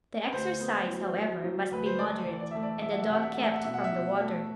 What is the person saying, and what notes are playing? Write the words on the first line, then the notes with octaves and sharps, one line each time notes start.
The exercise, however, must be moderate, and the dog kept from the water.
B4
D2 C5
B3
F#3
F#3
F#3
D2 B4
C5
A3 D5
E3
D5
A3 E5
D5
A3 E5
F#5
E5
C2 F#5
E5
A3 F#5
E5
F#5
B2 E5
F#5
E5
B2
A3